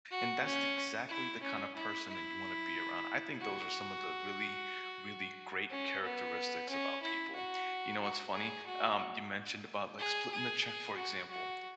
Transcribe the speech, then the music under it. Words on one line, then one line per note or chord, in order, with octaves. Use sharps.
and that's exactly the kinda person that you wanna be around, I think those are some of the really, really great characteristics about people. You know what's funny? Um, you mentioned about, like, splitting the check, for example,
F#4
C#4
E4
C#4
E4
E4
F#4
C#4
B3
C#4
E4
F#4
F#4
G#4
F#4
G#4
G#4
G#4
F#4
F#4